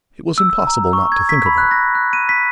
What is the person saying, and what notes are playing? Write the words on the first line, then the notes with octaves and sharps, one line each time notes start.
It was impossible not to think of her.
E6
E6
A#5
C#6
G#6
B6
B5
F#6
A#6
F#6
D#7
B6